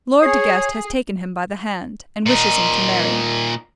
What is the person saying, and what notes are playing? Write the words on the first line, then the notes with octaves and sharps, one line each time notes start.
Lord De Guest has taken him by the hand, and wishes him to marry.
G#4 C#5 D#6 C7
A#2 D#4